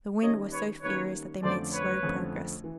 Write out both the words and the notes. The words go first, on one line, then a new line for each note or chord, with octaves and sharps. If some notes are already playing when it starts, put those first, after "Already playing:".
The wind was so fierce that they made slow progress.
D#3 G3 A#3 C#4 C#5 D#5
B4 C#5
D#3 G3 A#3 C#4 B4 C#5
F2 D3 F3 A3 C#4 C5 D5
B4 C#5
F2 D3 F3 A3 C#4
E3